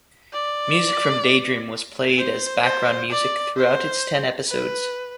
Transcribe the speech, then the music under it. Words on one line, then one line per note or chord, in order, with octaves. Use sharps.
Music from "Daydream" was played as background music throughout its ten episodes.
D5
C5
C5
D5
C5
B4